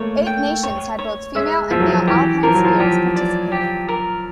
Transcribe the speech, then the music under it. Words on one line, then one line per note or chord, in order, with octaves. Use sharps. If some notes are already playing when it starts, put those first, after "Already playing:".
Eight nations had both female and male alpine skiers participating.
Already playing: A3 A#3 C#5
G5
C#5
C#5
G#3 E5
F3 E5
F#3
F3
E3 G4
F3 A#4
F#3
F3
F3 G4
D5
G4
A#4